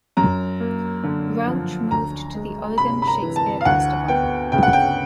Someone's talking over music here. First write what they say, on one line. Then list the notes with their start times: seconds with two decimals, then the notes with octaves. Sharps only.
Rauch moved to the Oregon Shakespeare Festival.
0.17 F#2 A#5
0.60 A#3
1.03 D3
1.47 F3
1.91 D2 A#5
2.34 G#3
2.78 C3 B5
3.02 B5
3.07 A#5
3.22 E3
3.36 A5
3.61 F5
3.65 D2 F#5
4.08 B3 G5
4.52 C#3 G5
4.63 F#5
4.73 G5